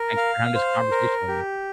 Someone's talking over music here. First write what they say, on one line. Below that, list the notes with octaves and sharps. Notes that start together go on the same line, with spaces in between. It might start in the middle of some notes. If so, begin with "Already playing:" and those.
thanks for having this conversation with me.
Already playing: A#4
F5
C5
A#4
G4